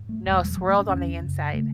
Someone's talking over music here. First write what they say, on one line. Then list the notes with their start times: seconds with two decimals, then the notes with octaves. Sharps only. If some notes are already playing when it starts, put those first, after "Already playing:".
No, swirled on the inside
Already playing: G#2
0.09 A3
0.26 E2 B2 G#3
0.35 F#3
0.44 G#3
0.57 G#2 F#3
0.68 A3
0.79 C#4
0.89 E2 D3 C#4
1.21 F#2 C#3
1.54 C#3 A3